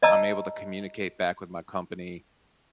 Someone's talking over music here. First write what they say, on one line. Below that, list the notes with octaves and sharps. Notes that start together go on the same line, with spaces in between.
I'm able to communicate back with my company
D5 D#5 A5 A#5 E6